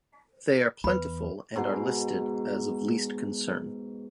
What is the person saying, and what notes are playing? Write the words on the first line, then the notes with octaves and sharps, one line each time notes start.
They are plentiful and are listed as of Least Concern.
E2 B4 B5
G#2 B2 A#5 C6